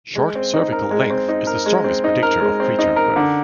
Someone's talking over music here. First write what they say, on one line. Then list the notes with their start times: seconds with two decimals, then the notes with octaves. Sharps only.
Short cervical length is the strongest predictor of preterm birth.
0.15 G#3
0.35 C4
0.54 D#4
0.72 A#4
0.91 G#3
1.10 C4
1.28 D#4
1.47 A#4
1.66 G#3
1.84 C4
2.04 D#4
2.23 A#4
2.41 G#3
2.60 C4
2.79 D#4
2.96 A#4
3.16 D3